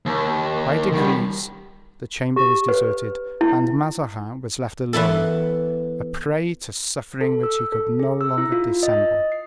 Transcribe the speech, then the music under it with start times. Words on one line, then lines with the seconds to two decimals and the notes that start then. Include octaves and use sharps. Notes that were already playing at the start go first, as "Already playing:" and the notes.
By degrees the chamber was deserted, and Mazarin was left alone, a prey to suffering which he could no longer dissemble.
0.06 D#2
0.92 D#3 G3
2.36 G4
2.69 B4
3.41 E4
4.93 E3 B3 E4 A4
7.21 A4
7.43 E6
7.72 A4
7.99 G#4
8.21 E6
8.38 E4
8.52 F4
8.83 D#5
9.32 C7